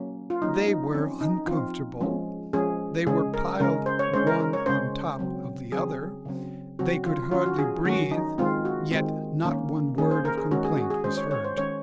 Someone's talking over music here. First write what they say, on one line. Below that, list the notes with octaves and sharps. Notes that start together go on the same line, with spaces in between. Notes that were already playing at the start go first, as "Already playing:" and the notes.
They were uncomfortable, they were piled one on top of the other, they could hardly breathe; yet not one word of complaint was heard.
Already playing: F#3 A#3 C#4
F4
F#3 A#3 C#4 D#4
D#4
F3 C4 C#4
D#4
F3 C4 F4
F3 G#3 C#4
F3 G#3 C#4 G#4
C#3 G#3 C#4 G#4
A#4
C#3 G#3 C#4 A#4
C5
C#5
C#3 G#3 C#4 C5
A#4
A#4
C#5
C#3 G#3 C#4 C5
C#3 F#3 C4
C#3 F#3 C4 G#4
C#3 F#3 C4
C#3 F#3 C4 F#4
F4
D#3 F#3 C#4 F4
F#4
G#4
D#3 F#3 C#4 F#4
D#4
D#3 G#3 C4 F4
F#4
D#3 G#3 C4
D#3 A#3 C#4
D#3 A#3 C#4 G#4
C5
A#4
G#4
D#3 G#3 C#4 F#4
G#4
F#4
G#4
D#3 G#3 C#4 C5
C#5
C#5
C5
D#3 G#3 C#4 C#5